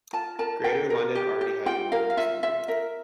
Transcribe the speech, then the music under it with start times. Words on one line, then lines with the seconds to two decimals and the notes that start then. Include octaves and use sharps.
Greater London already has the London Assembly.
0.13 F4 A5
0.39 A#4 A5
0.64 A#4 G5
0.90 A#4
1.15 G4
1.41 G4
1.66 F4 G5
1.92 A#4 F5
2.10 F5
2.17 F4 E5
2.43 F4 E5
2.68 A#4 E5